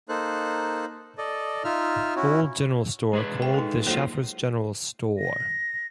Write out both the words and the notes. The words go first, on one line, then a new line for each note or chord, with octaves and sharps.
Old General Store called The Shaffer's General Store.
A#3 D#4 A4 C5 F#6
A4 D5 D#5
D#4 F4 E5 F6
C#4 E4 F#4
G#3 G#4 B4
G5
D#4 A4
F#3 A#3 F4 A4 C5
A#6